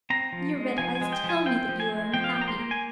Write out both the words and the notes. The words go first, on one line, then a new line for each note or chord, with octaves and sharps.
Your red eyes tell me that you are unhappy.
C4 A#5
F3
G#3
F3 G#5
G#5
G#3
G5
F3
G#5
C4 G5
F3
G#5
G#3
F3 G5
F5
A#3 G5
A#5
C6
A#3
G#5